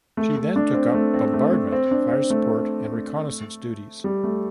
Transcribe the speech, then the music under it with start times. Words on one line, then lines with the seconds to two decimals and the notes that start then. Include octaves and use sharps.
She then took up bombardment, fire support and reconnaissance duties.
0.17 A3
0.37 A3
0.56 D4
0.74 C4
0.94 A3
1.14 C4
1.33 A3
1.52 A3
1.72 C4
1.91 D4
2.11 C4
2.30 A3
4.04 G3
4.24 A3